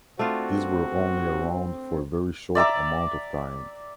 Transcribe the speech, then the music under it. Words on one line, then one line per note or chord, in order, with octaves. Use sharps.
These were only around for a very short amount of time.
A3 C4 D4 F4 F#4
D5 E5 A#5 D6